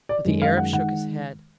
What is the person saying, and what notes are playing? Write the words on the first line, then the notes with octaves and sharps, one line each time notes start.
But the Arab shook his head.
D5
F#2 D#3 G#3
F5
F#5
D#3 G#3 F#5